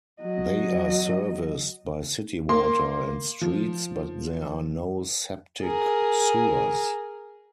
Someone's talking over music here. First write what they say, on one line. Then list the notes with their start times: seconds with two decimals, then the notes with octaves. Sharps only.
They are serviced by city water and streets, but there are no septic sewers.
0.22 F#3 D#5
2.49 A#3 C6
3.41 F3
5.62 G#4 A#4